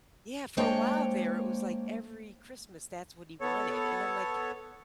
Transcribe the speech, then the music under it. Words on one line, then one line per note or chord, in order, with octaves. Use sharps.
Yeah, for a while there, it was like every Christmas, that's what he wanted, and I'm like,
G#3 A#3 D4 C5 C#5 G5
B3 A4 C#5